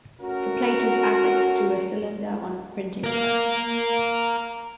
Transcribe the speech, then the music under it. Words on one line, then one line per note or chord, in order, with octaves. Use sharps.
The plate is affixed to a cylinder on a printing press.
A3 C#4 F#4 A#4
A#4 F5